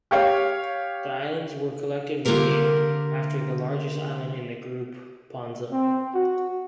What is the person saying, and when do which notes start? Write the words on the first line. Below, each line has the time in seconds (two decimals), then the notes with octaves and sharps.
The islands were collectively named after the largest island in the group, Ponza.
0.11 G4 C#5 F5
2.25 D3 A#3 F4 G4 A#4 A#5
5.72 C4
6.14 F#4